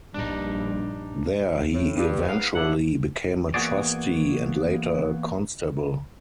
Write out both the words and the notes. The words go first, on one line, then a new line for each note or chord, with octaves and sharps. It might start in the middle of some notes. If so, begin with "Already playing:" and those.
There he eventually became a trustee, and later a constable.
A#1 G2 D4 D#4
A2
G2
G#2 B3 F5
F3 D4 E4 F#5
E3 A#3 B3 F#4 G#4 D5